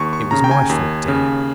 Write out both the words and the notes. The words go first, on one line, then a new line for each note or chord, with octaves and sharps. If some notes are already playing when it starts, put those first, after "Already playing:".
'It was my fault, dear.
Already playing: D#2 C#6
C#6
C#3 A#5
G5
G#5
D#2
C#3